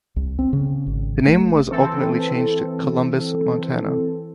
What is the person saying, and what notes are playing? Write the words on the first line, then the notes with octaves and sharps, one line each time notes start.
The name was ultimately changed to Columbus, Montana.
C2
C4
C#3
G#1
A3
E3 C4 A4